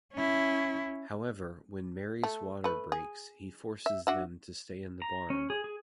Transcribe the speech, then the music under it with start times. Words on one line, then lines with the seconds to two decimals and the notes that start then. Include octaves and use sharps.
However, when Mary's water breaks, he forces them to stay in the barn.
0.14 C#4 E4
2.23 A3
2.64 A3 B4
2.92 G#4
3.86 E5
4.07 D4 F#4 E5
5.02 A#5
5.30 C#4
5.50 G#4
5.64 G#4